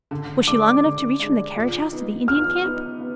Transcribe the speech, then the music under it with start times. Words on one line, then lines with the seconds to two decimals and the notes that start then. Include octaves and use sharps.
Was she long enough to reach from the carriage house to the Indian camp?
0.11 D3
0.47 G#3 D4 D6
0.83 D3
1.20 G#3 D4
1.56 F3
1.92 B3 D#4
2.28 F3 F6
2.64 B3 D#4
3.00 B3